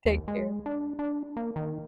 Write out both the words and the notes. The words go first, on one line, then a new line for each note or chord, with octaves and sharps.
Take care.
D#2
G#3
D4
D4
A#3
D#3